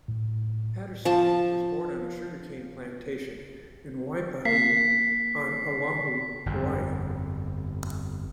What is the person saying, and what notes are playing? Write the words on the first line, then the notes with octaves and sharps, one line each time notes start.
Patterson was born on a sugarcane plantation in Waipahu on Oahu, Hawaii.
A2
F3 A5
A#3 B6 C7
G1 F2